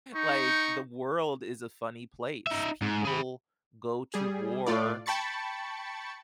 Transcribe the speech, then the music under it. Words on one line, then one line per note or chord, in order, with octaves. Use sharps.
like, the world is a funny place. People go to war
D#4 G5 C#6
D#4 E5
G#2
G#4 B5
G3 G#4
A2 A3 F4 D5
G5 A5 B5 C#6 A6 C#7